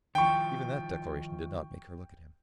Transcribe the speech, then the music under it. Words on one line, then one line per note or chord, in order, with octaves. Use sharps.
Even that declaration did not make her look at him.
D#3 F3 G5 C#6